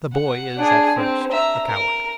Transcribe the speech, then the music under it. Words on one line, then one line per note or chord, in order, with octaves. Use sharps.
The boy is at first a coward.
F#5
D4 G#4
C4
E5 A#5
A#4